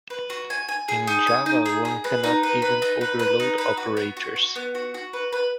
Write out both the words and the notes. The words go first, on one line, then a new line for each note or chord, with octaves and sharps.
In Java one cannot even overload operators.
B4
F#4
G#5
G#5
G#4
D#4
G#5
D#4
G#4
G#4
B4
D#4
B4
B4
D#4
B4
B4
D#4
B4
F#4
B3
F#4
F#4
B3
F#4
F#4
B4
B4